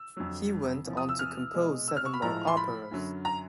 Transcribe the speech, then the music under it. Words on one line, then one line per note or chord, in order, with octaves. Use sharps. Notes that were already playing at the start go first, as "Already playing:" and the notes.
He went on to compose seven more operas.
Already playing: E6
F2 D3 F#3
E2 C3 F3
D#6
E6
F6
B2 G#3
E6
F6
C#6
B5
A2 F3 G#3 A#5
C6
B5
F#2 D3 F#3
A#5